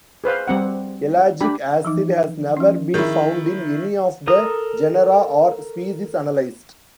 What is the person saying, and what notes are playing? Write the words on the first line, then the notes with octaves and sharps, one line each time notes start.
Ellagic acid has never been found in any of the genera or species analysed.
G#4 B4 C5 F5
G3 C4 F#5
D4 G4 B5
E3 F3 D#4
F3 C#4
D#3 E4 G#4
A4 A#4 A#5 D#6